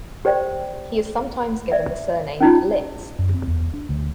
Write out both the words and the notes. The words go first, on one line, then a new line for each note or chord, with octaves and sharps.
He is sometimes given the surname Litz.
G4 C5 D5 G5
D5 E5
C#4 D#4 F4
F#2
C4
E2
D4
D2